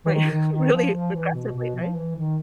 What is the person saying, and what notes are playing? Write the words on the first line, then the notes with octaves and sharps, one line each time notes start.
right, really aggressively, right?
E3
D#3
D#3
D#3
F3
F3
E3
B2
B2
F3
E3
D#3